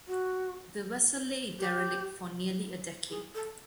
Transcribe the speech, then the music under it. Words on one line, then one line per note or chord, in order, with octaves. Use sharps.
The vessel lay derelict for nearly a decade.
F#4
G4
G#4
A4